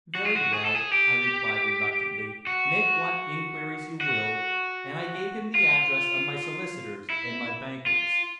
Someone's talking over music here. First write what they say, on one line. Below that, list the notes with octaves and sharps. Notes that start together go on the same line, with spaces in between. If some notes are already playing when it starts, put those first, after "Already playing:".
"Very well," I replied reluctantly; "make what inquiries you will." And I gave him the address of my solicitors and my bankers.
F#4
F4
F#4
G#4
A4
G#4
G4
F#4
F#4
F4
E4
F4